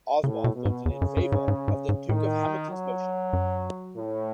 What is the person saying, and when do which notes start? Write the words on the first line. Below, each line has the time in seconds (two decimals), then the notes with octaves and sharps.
Oswald voted in favour of the Duke of Hamilton’s motion.
0.24 A2 C#3
0.44 B2
0.55 B2
0.65 G#2
0.85 E2 C#3
1.02 F#2
1.17 F#2
1.32 G#2
1.48 G#2
1.68 G#2
1.89 G#2
2.09 A2 D#3
2.71 F#3
3.33 F#2
3.94 A2